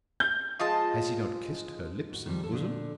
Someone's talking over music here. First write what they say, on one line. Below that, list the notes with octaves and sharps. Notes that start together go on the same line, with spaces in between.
Has he not kissed her lips and bosom?
G6
F3 G#3 F4 D#5 A5
G#2 F#4
D#3 F3 G3
A#2 A4
A#2 D3 D4